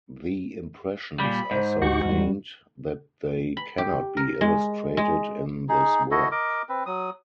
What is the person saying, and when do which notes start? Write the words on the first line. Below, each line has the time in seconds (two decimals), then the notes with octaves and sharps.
The impressions are so faint that they cannot be illustrated in this work.
1.19 A#2 G3 B5
1.51 G#2 C5
1.82 D2 D#4 F#4 G4 C#6
2.05 E2 G3
3.57 B5
3.78 G4
4.17 A#4
4.41 G#3
4.97 G#3
5.69 D#4 G#4
6.11 E4 F#4 A4 D#5
6.31 A#4 D#5 D6
6.69 C4 B4
6.86 F#3 D#6